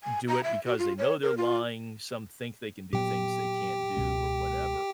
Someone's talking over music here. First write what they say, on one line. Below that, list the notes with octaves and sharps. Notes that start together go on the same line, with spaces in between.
do it because they know they're lying, some think they can do things they can't do or whatever,
G#5
A#5
E5
F#4
F4
C#5
A#4
F4
A#2 F#3 B3 G4 G5
C#2 B2 G#3